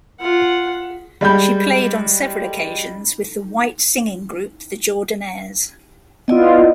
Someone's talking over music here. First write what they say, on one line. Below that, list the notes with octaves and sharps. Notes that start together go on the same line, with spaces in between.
She played on several occasions with the white singing group the Jordanaires.
F4 F#5
G3 G#3 B5 G6
B3 E4 F4 D5 D#5